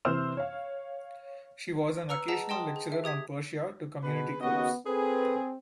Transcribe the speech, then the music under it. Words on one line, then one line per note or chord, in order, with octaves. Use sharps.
She was an occasional lecturer on Persia to community groups.
C3 E3 C5 E6 F6 E7
C#5 F5
B4 A#5 E6 F6 C#7
G#4 D#5 F#5 A5 A#5
D#5 G5 A5 C6 D#6
G#4
E5
G4 D#6 G#6 B6
B2 G#4 B4
D#2 C#3 B3 F#4 D#5
C4 G#4 A4 B4